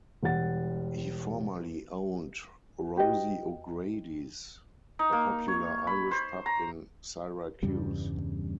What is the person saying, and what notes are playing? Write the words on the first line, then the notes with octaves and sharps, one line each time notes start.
He formerly owned "Rosie O'Grady's", a popular Irish pub in Syracuse.
E1 G3 F#5 A6
F#4 G4 B4 D#5
D#4
A#3
C#5
B5
C5
A#5
E2 G2 C#3 G3